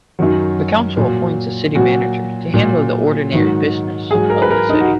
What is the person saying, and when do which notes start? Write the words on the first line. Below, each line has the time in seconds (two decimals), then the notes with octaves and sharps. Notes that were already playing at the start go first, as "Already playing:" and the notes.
The council appoints a city manager to handle the ordinary business of the city.
0.19 F#2 D#3 F#3
0.97 A#2 F#3
1.75 A#2 F#3 F#4
2.54 A#2 F#3
3.32 G#2 D#3 F#3
4.10 G#2 F#3 G#4
4.30 A#4
4.42 B4
4.50 A#4
4.69 D#4
4.80 F#4